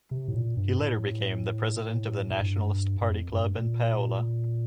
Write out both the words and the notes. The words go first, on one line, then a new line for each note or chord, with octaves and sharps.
He later became the president of the Nationalist Party club in Paola.
C3
A2
A#2
G2
A2
A2
G2
G2
F2
G2
A#2